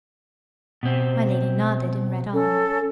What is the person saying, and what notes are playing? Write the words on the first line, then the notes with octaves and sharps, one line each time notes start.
My Lady nodded, and read on.
B2 C4
C#4 A4